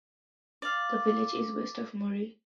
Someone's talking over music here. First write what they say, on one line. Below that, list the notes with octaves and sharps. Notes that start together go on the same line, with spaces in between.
The village is west of Muri.
D5 F5